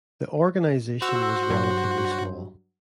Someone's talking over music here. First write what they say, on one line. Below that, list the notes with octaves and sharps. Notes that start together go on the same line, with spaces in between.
The organization was relatively small.
F#4 C5 E6
G2 F#3